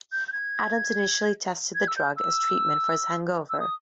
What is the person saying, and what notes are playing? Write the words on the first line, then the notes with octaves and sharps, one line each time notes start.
Adams initially tested the drug as treatment for his hangover.
G6
G6
G#6
G#6
E6
G6
E6
E6
D#6